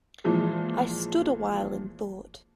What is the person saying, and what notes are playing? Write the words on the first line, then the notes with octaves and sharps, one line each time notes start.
I stood awhile in thought.
A#2 E3 F3 G#3